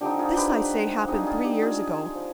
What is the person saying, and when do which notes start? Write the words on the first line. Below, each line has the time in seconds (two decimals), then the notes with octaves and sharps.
This, I say, happened three years ago.
0.01 D3 F3 C4 D#4 G4
0.19 F4 G#4
0.36 G4 B4
1.08 D3 G3 C4 D#4 F4 G#4
1.27 F4 G#4
1.44 G4
1.62 F4 G#4
2.15 F3